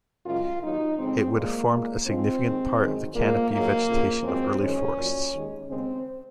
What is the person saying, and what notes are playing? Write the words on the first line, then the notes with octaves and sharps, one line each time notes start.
It would have formed a significant part of the canopy vegetation of early forests.
F#2 C#3 G#3 F4
D#2 D#3 F#3 D#4
F2 C#3 G#3 C4
A#2 G#3 A#3
A#2 G#3
G#2 F3 G#3 C4
D#2 D#3 G#3
F#2 D#3 G#3
A#2 F3 G#3 A#3
G#2 F#3 A#3
F2 C#3 F3
F#2 F3 G#3 C4
F#2 D#3 G#3 C#4
A#2 F#3
D#2 D#3 G#3
D#2 C#3 G#3 C4